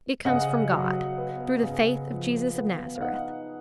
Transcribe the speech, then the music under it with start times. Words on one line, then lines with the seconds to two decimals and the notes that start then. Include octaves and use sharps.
It comes from God, through the faith of Jesus of Nazareth.
0.25 C#3 D#5 F#5
0.72 F#3
1.18 B3
1.63 C#3
2.10 F3
2.55 B3
2.95 F5
3.01 D#4 D#5 F#5